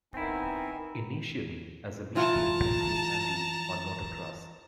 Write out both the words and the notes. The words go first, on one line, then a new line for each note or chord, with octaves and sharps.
Initially as a mean to improve his handle on motor cross.
D#3 B3 C4 D#4 E4 G#5
E3 F4 A5 A#5